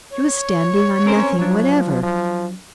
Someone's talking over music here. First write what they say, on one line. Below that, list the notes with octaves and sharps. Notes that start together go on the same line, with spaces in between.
She was standing on nothing whatever!
C#5
C4 C#4 A#4 C5
F3 F#3 D4
F3